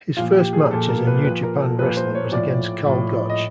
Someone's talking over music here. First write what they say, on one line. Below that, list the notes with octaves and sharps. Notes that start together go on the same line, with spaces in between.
His first match as a New Japan wrestler was against Karl Gotch.
A#2 F3 F4
G4
G#4
A#2 F3 A4
A#4
B4
A#2 F3 B4
A#4
A4
A#2 F3 B4
C5
C#5
A2 F3 D5
A2 F3
D#5